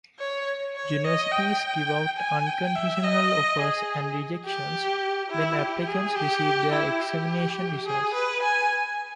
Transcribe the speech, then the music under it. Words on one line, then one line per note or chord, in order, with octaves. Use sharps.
Universities give out unconditional offers and rejections when applicants receive their examination results.
C#5
C#5
D#5
G5
G#5
G5
E5
D#5
G#4
G4
E4
G4
G#4
G4
E4
G4
G#4
B4
G#5